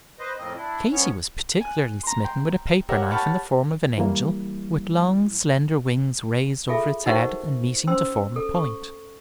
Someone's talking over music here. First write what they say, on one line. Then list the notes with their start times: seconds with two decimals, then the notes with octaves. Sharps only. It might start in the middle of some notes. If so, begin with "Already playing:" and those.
Katy was particularly smitten with a paper-knife in the form of an angel with long slender wings raised over its head and meeting to form a point.
0.19 B4 C5 D#5
0.38 F2 A2 A#3 C4 D#5
0.56 D4 E4
0.91 G2 C3 B3 C#4 C#5
1.61 G#5 F#6
2.03 A#5 C6
2.24 G5 C6
2.89 G4 A#4 C#5 E5 F#5 G5
3.10 G5 A5 B5 C#6 F6 F#6
3.98 E3 G3 A#3 E4
6.69 F4 G#4 A4 E5
7.06 D#4 F#4 A#4 C5 F#5 C#6
7.87 C#4 C5 C6 E6
8.36 A4
8.54 A4 C#6